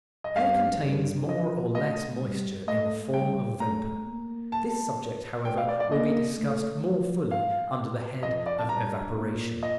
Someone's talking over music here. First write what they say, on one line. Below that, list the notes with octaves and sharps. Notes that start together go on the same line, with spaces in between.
Air contains more or less moisture in the form of vapor; this subject, however, will be discussed more fully under the head of evaporation.
D#5
G2 F5
G2
F3 D#5
A3 D#5
G3
A3 D#5
G3 G5
A3 A#5
A#3
A5
A3 G5
F5
D5
D5
A#3 D#5
A3
F3
F5
F2 D#5
D5
A5
G2 A#5
A#2
D#5